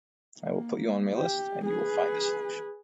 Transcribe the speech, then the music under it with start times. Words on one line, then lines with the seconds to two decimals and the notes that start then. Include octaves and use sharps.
I will put you on my list and you will find a solution.
0.41 A#3
1.15 G4
1.65 G#4 B4